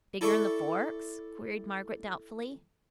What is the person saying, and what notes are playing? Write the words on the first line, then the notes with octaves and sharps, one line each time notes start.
"Bigger'n the Forks?" queried Margaret doubtfully.
E4 A4 D5 E5 A5 C#6